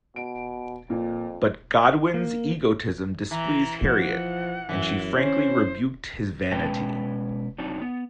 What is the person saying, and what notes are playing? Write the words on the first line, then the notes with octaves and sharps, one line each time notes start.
But Godwin's egotism displeased Harriet, and she frankly rebuked his vanity.
B2 D7
F2 A#2
A#3
E3 A#5
F3 F#5
F#2 E3
C#4 C5
B2 G#3 C#4 B4 G5 A5
F#3 C4 D4 D#4
B3